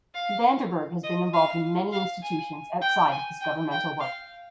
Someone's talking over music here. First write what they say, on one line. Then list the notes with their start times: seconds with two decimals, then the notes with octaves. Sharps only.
Van der Burg has been involved in many institutions outside of his governmental work.
0.14 F5
1.03 D#5
1.33 F5
1.92 F5
2.22 G#5
2.82 G5
3.11 G#5
3.41 G5
3.71 G5
4.00 F5